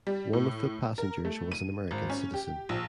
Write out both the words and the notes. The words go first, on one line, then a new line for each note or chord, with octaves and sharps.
One of the passengers was an American citizen.
G3
A2
A#4
A3
D#7
G#1
C#4
G4
A#1